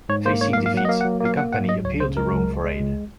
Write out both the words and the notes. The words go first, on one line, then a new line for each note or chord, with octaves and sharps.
Facing defeat, the Campani appealed to Rome for aid.
G#2 C#5
A#3 C5
G#2 C#5
F5
A#3
F5
F#3 F#5
D#5
A#3 F5
F#5
F#3
A#3 F5
A#3 F#5
G#2 F#5
F#3 D#5
C#2 C#5
C#3 C5
G#3 A#4
C#2
C#2
G#3
C#2